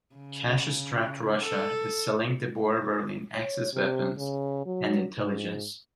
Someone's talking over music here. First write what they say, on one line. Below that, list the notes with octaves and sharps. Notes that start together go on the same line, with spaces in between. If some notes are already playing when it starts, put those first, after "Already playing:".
Cash-strapped Russia is selling the Boer-Berlin Axis weapons and intelligence.
C#3
A4
C#5
C3
C#3
F#3
G#2